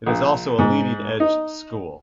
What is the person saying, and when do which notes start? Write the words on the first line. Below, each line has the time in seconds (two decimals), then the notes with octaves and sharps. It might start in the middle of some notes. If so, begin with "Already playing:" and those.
It is also a Leading Edge school.
0.06 A#1
0.58 G#2
1.20 D#4